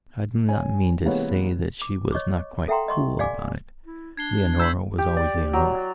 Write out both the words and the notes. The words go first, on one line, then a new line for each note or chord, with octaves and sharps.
I do not mean to say that she was not quite cool about it. Leonora was always Leonora.
C#4 G#5
C3 E3 G#3 A#3 B3 C#4
D6
C#5 D#5 C#6 D6
A4 E5 F#5 G5 A#5 C6
D#5 C6 C#6
G4 D5 F5 G#5 D6
E4
D4 G#6 C7 G7
E6 G6 B6 F#7
G4
D5
F#3